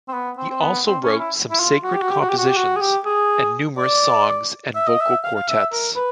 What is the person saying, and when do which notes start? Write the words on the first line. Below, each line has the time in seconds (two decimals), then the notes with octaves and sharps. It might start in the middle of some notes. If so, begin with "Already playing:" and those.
He also wrote some sacred compositions, and numerous songs and vocal quartets.
0.08 C4
0.14 B3
0.38 C4
0.50 C4
0.62 B3
0.86 C4
1.03 C#4
1.19 E4
1.51 E4
1.60 F4
1.84 F#4
1.93 G4
2.02 F#4
2.11 G4
2.21 F#4
2.29 G4
2.38 F#4
2.48 G4
2.57 F#4
2.76 G#4
2.81 G4
3.06 G#4
3.78 D5
4.75 E5
4.88 D#5
5.01 E5
5.24 F5
5.36 F5
5.49 E5
5.73 A#4
5.96 B4